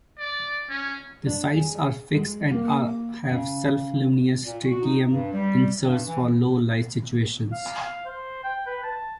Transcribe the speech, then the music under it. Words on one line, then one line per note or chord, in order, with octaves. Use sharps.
The sights are fixed and are have self-luminous tritium inserts for low-light situations.
D5
C#4
D4
G#4
G#3
A#3
C#3
A#2
F#4
D#4
G2
G3
G2
E3
F5
F5
C5
G5
B4
A5